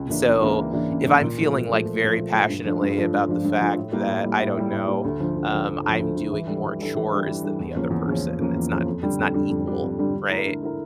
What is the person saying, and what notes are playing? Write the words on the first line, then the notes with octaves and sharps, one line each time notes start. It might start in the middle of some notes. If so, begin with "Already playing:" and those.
so, if I'm feeling, like, very passionately about the fact that, I don't know, um, I'm doing more chores than the other person, it's not it's not equal, right?
Already playing: C#2
C#3 E3 A#3 D4
C#2
C#3 E3 A#3 D4
C#2
C#3 E3 A#3 D4
C#2
C#3 E3 A#3 D4
A#2
F3 A3
A#2
F3 A3
A#2
F3 A3
A#2
F3 A3
G2
F3 A3 D4 F4
G2
F3 A3 D4 F4
G2
F3 A3 D4 F4
G2
F3 A3 D4 F4
A2
G3 A#3 E4
A2
G3 A#3 E4
A2
G3 A#3 E4
A2
G3 A#3 E4
D2
D3 F3
D2
D3 F3
D2
D3 F3
D2
D3 F3
E3
G3 D4 A4
E3
G3 D4 A4
E3
G3 D4 A4
E3
G3 D4 A4
E2
C#3 F3 A#3 C#4
E2
C#3 F3 A#3 C#4
E2
C#3 F3 A#3 C#4
E2
C#3 F3 A#3 C#4
F2
D3 G3 D4
F2
D3 G3 D4
F2
D3 G3 D4
F2
D3 G3 D4
D3
A3 E4 A#4
D3
A3 E4 A#4